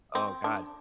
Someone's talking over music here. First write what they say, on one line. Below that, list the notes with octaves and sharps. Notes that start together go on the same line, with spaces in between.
Oh, god.
C4
D4